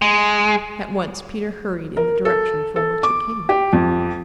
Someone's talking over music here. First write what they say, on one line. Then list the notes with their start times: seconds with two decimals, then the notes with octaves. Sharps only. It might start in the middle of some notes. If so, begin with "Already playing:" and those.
At once Peter hurried in the direction from which it came.
0.02 G#3
1.97 A#4
2.25 A4
2.76 A4
3.03 D6
3.49 G4
3.73 F2